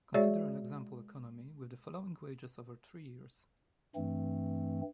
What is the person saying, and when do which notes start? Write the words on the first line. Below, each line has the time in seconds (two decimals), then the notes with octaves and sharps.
Consider an example economy with the following wages over three years.
0.14 G#3 F#4 G#4 C#5 D5 E5
3.95 G2 E3 A3 C4